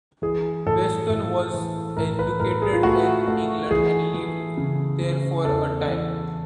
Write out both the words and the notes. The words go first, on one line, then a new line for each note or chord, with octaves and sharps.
Weston was educated in England and lived there for a time.
E3 G#4
A2 A4
A2
E3
A2 A#4
B4
A2 A#4
G#4
F4
A3 F#4
A3
E3 G#4
E3
C#3
C#3
E2 A4
E3